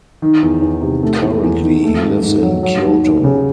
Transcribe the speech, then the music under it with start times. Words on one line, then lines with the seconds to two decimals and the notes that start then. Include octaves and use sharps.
Currently he lives in Kyoto.
0.22 D#3
0.43 E2
0.62 E2
0.82 C3
1.03 A3
1.22 E2
1.43 E2
1.62 D#3
1.83 A3
2.02 G#2
2.22 G#2
2.43 F#3
2.63 F#3
2.84 D#2
3.04 D#2
3.24 C#3